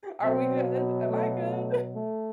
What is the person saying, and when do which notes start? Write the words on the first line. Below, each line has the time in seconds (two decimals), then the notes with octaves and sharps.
Are we good? Am I good?"
0.21 B2 F#3 C4
0.79 B3
1.07 A3
1.35 A3
1.93 A3